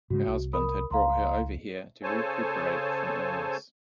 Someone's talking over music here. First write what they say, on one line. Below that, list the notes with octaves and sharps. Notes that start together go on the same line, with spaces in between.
Her husband had brought her over here to recuperate from illness.
G#2 C#3 G#3 F#4
C2
A#4 B5 D#6
C#2 F5 A#5 C6
C#3 A4 C5 C#5 G#5 A5